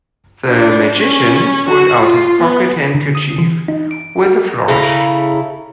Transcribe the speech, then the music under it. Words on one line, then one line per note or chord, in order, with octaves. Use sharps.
The magician pulled out his pocket handkerchief with a flourish.
D4
C#4
F#4
F4
B3
D3
D#6
E3
D#4
D7
F#4
C#3 E4 A4 A#5